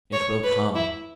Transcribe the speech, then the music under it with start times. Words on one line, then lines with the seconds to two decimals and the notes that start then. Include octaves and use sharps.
It will come.
0.13 C#5
0.43 B4
0.75 E4